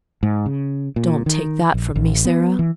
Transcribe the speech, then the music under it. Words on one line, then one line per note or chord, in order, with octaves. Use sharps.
Don't take that from me, Sara.
G#2
C#3
A#2
D#3
A#1
A1
B3
E3